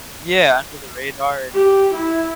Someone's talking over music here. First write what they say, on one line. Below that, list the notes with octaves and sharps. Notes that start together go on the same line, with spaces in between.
Yeah, under the radar,
G4
E4